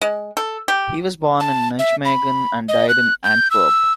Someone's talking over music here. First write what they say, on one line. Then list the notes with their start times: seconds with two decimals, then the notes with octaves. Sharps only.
He was born in Nijmegen and died in Antwerp.
0.02 G#3
0.37 A4
0.68 G4
1.40 A5
1.79 E5
2.05 B5
2.69 D#5
2.89 F#6
3.24 G6
3.51 E6